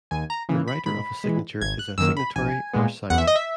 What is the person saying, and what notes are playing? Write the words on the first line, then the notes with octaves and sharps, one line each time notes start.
The writer of a signature is a signatory or signer.
D#2 G#5
A#5
C#3 E3 A#3
B5
G#2 B5
E3 G#3
G#1 G#6
F#6
F#2 D#3 A#3 E6
B5
A#1 G#5
A#2 G#3 B3
E2 F#5
E5
D#5
E5